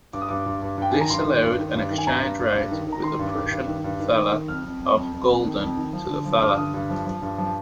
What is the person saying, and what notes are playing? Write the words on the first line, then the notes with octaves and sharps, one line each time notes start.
This allowed an exchange rate with the Prussian Thaler of Gulden to the Thaler.
G2 D6
D#6
G2 D6
G2
G2
G2 G5
D#3 G#5
A#5
G2 C6
D#3
G2
D#3
G2
D#3
G#5
G2 A#5
G2
G2
G2
D#3
D#3
A#5
D#3 C6
G2
D6
D#3
G2
D#3
G2
D#3
D#3
D#3
F2 F6
F2
F2
F2
F2
F2
D#3
F2
D#3
F3
D3
F3
G2 F6
D3 D#6
G2
F3
F3
G2
F3